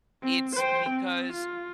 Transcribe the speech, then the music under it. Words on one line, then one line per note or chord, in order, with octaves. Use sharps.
it's because
C4
C5 G5
C4
F4